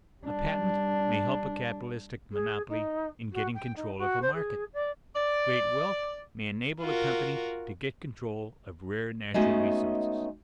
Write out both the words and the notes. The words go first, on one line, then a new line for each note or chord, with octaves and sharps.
A patent may help a capitalistic monopoly in getting control of a market; great wealth may enable a company to get control of rare natural resources.
G3 D4
G#4
D#4
F#4
G5
D#4
F#4
C5
G#4
D5
D5
F4 F#4 A#4
G#3 A3 B3 C#4 D#4 F#4